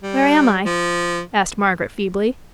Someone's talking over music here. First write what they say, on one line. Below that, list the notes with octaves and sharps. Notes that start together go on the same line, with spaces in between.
"Where am I?" asked Margaret feebly.
G3
F3